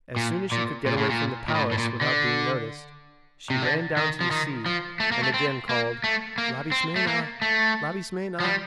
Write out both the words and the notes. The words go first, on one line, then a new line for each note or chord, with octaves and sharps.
As soon as she could get away from the palace without being noticed she ran down to the sea and again called, "Labismena, Labismena."
A#2
A#2
A#2
A2
A#2
A#2
A2
A2
A#2
D3
C3
D3
D#3
F3
D#3
F3
A3
A#3
A3
C4
A#3
A3
A#3
C4
A3
A#3
A3
F3
G3